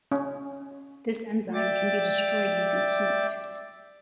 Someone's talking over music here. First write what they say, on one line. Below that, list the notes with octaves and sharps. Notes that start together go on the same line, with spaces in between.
This enzyme can be destroyed using heat.
C#4
D5 E5 G5 D6 A6